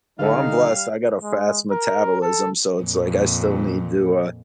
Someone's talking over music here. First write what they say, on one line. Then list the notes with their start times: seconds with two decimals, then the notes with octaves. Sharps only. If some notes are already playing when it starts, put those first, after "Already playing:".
Well, I'm blessed, I got a fast metabolism, so it's like I still need to, uh
0.19 D3 G3 D#4 A4 F5
1.23 G#3
1.71 A#4
2.22 A4
2.82 F2 A#2